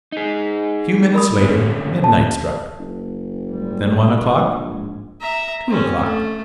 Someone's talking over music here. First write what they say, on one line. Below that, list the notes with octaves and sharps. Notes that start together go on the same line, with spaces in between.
A few minutes later midnight struck; then one o'clock--two o'clock.
D#4 G#4
A#4 B5 D#6
D3 B3 C#4
A5
F#1
G#2 G3
A#1
G#2
E5 A#5
C4 C#4
A3